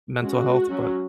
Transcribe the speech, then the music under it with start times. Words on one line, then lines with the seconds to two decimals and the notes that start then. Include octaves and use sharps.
mental health, but
0.20 G#3 C#4 F#4
0.69 F#3 C#4